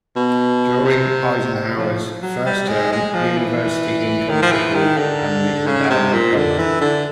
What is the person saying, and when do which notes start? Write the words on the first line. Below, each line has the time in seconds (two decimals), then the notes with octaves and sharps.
During Eisenhower's first term, University income tripled and the endowment doubled.
0.16 B2
0.85 C3
1.54 C3
1.77 F3
2.22 F#3
2.45 G3
2.68 G#3
2.92 G#3
3.14 F3
3.37 E3
4.29 D#3
4.42 F3
4.52 E3
4.74 D#3
4.97 D3
5.67 C#3
5.90 C3
6.13 A#2
6.35 D3
6.58 E3
6.81 D3